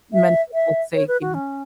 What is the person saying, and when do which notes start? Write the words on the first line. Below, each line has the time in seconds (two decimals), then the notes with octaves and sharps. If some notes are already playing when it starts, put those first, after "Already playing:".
mental health sake here.
0.13 E5
0.54 E5
0.94 C#5
1.08 B4
1.21 F#4
1.34 C#4